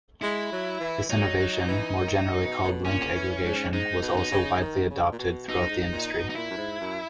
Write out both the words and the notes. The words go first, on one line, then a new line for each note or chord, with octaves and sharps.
This innovation, more generally called link aggregation, was also widely adopted throughout the industry.
G#3 E4
F#3
E3
F#3 D#4
F#3
E3
D#3
B2
B2
A#2 C#4
E3
G#2
G#2 D#4
B2
D#4
C#3
D#3
C#3
A#2
B2
B2 D#4
F#2
G#2
A#2
B2
D#4
A#2 E4
F#2
G#2
F#2